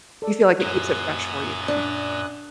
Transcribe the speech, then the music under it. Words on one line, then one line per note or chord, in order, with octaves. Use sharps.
You feel like it keeps it fresh for you, then?
A4 D5
F#2 A#2 D#6 F#6
D4 D5